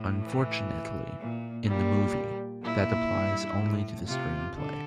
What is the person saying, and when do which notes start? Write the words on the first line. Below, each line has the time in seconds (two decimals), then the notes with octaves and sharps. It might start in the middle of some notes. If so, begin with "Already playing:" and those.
Unfortunately, in the movie, that applies only to the screenplay.
Already playing: A2
0.24 E3
1.20 A#2
1.67 A#2 G3
2.63 A#2 E4
3.11 G2
3.60 A2
4.07 C3 F4
4.56 D3 A4